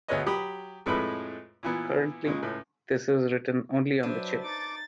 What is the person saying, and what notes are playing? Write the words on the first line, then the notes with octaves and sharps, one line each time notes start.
Currently, this is written only on the chip.
D2 B2 G#4 B4 C#5 D#5
F#3 G4 B5 D#6
F2 A2 G#3 A3 B4 B5
A#2 E3 B3
A#2 C#3 G#3
C#2 A2
F#3 D4 B4 C5 E5
D#4 D6 A6